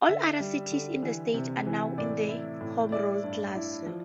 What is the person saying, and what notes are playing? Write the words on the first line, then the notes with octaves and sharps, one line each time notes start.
All other cities in the state are now in the home rule class.
D3 E5
G3
D3
E3
C3
E3
A2 D5
E4
A2
E4 D5
G2
E4
F3